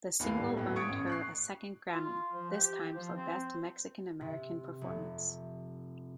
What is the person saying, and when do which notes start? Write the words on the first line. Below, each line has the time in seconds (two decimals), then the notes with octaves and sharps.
The single earned her a second Grammy, this time for Best Mexican-American Performance.
0.20 D#2 B3 E4 F5 C7
0.37 A2 G3
0.56 D#1 A2 B3 E4
0.76 C#6 D#6 G#6 C#7 D7
0.89 A1
1.07 C#6 F#6 C7
1.88 F4
2.33 F3
2.51 G4
2.93 F3
3.15 C4
4.21 C3
4.81 F1